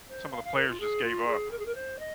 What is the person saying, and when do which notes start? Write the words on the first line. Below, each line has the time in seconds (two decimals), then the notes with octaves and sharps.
some of the players just gave up.
0.09 C5
0.33 F5
0.44 F5
0.56 A#4
0.69 F4
0.80 G#4
1.04 F4
1.27 G#4
1.51 A#4
1.59 G#4
1.66 A#4
1.75 C5
1.99 D#5